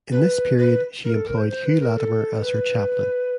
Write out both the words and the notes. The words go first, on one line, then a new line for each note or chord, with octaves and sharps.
In this period she employed Hugh Latimer as her chaplain.
B4
B4
A#4
A4
A#4
C5
C5
B4
A#4
A4
B4